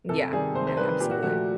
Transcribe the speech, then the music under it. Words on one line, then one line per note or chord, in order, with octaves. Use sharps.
Yeah. No, absolutely.
C3 A4
D#3 G3 G#4
C3 C5
C5
D#3 G3 B4
A#2 G4
F#4
F3 A3 F#4